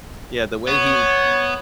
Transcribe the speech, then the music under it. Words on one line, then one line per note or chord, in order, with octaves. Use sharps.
yeah, the way he
B3 C#5